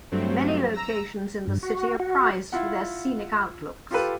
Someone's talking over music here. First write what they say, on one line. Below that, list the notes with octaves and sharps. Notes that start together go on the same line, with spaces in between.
Many locations in the city are prized for their scenic outlooks.
G2 F#3 A3 C4
A#5 E6 A#6
G2
F#4
F#4
E4 F4 F#5
F4 G4 A4 B4